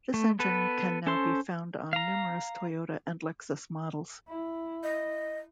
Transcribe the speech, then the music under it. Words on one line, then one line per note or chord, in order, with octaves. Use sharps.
This engine can now be found on numerous Toyota and Lexus models.
A3
B3 A4 B4
C#4 A4 C5 C6
F5 A#5
E4
D#5